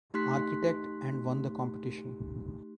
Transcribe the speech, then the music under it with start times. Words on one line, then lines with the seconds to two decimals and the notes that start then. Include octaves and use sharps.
Architect, and won the competition.
0.14 A3 D#4 G4 C6 F#6 B6